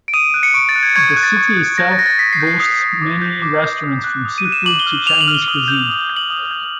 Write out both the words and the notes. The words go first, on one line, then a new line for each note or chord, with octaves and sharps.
The city itself boasts many restaurants from seafood to Chinese cuisine.
D7
D#6 D#7
F#6
C#7
C#6 D7
A6
F#6
G#6
C#6 G#6
G#6
F#6
A6
C#6
F#6
C#6 A#6
A6
F#6 A#6
A6
D#6 B6
C7
G6
C7
D#6 C7
G6
D6
G6
D6
G6
D#6
F#6
D#6
D#7
F#6
E7
D6 F#7
G7
F6
F#7
D6 F7
F#7
F6
G7
D#6 F#7
G6
D#6
G6
F#7
D#6
G6